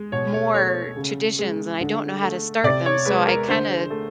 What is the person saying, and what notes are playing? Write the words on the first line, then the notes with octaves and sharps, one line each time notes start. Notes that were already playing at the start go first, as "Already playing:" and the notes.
more traditions and I don't know how to start them, so I kinda
Already playing: G#3
B2 C#5
C#5
A3 C#5
C#3
G#3
D3
A3
C3 D5
C#5
G#3 B4
A#4
D3 C5
A3